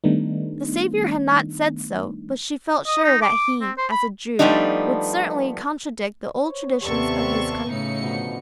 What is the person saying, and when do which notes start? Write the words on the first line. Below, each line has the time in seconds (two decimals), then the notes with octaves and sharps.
The Saviour had not said so, but she felt sure that He, as a Jew, would certainly contradict the old traditions of his countrymen.
0.04 D#3 G3 A3 B3 D4 D#4
2.87 D#5
3.04 D#4
3.22 D6
3.61 C4
3.78 C5
3.91 B5
4.39 F3 G3 A3 B3 D4 D#4
6.41 C5 C#5
6.82 D#2 C3 B3 G4 A4 D5 C#6
7.69 A2 C#3 D#4 C#7
8.00 B2 D3 F3